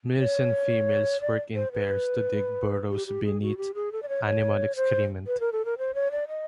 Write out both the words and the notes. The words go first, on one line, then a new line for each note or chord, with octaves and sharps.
Males and females work in pairs to dig burrows beneath animal excrement.
C#5
D5
C5
B4
G4
G4
G#4
F#4
G4
G#4
A4
D5
C#5
C#5
C5
B4
A#4
A4
A#4
C5
C#5
D5
D#5